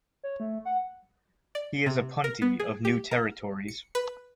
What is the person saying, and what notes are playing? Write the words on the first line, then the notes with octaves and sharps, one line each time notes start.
He is a Punti of New Territories.
C#5
A3
F#5
D5
C3
A#4
B3
G#4
G4
A#4
C#7
B4